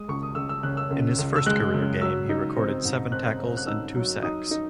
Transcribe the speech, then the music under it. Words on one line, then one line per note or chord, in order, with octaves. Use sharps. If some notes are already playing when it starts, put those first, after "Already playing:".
In his first career game he recorded seven tackles and two sacks.
Already playing: G#3 D#6
C#2 C#6
D#6
C#2 E6
E6
C#3 F#6
E6
C#2
C#2
E6
G#3 F#6
C#3
F#3 E6
D#4
C4
G#2
C4 F#6
C4
F#6
D#4 E6
F#3
D#4 D#6
D#4